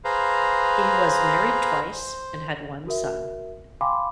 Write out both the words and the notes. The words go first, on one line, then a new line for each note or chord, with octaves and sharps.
He was married twice and had one son.
G#4 B4 C5 F5 A#5
C5
F#4 A#4 E5
F5 G5 G#5 B5 C6 D6